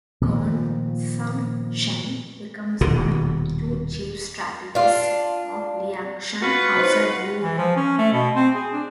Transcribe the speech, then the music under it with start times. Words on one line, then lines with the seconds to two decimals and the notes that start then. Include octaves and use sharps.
Gongsun Sheng becomes one of the two chief strategists of Liangshan alongside Wu Yong.
0.21 A#2 D#3 F3
2.81 D#1 B2 D3
4.75 D4 F4
6.42 F4 F#4 B4
6.77 C#4 D#4 C5
7.41 E3
7.58 F3
7.77 C#4
7.98 A3
8.13 B2
8.35 C4
8.55 G#4
8.73 D4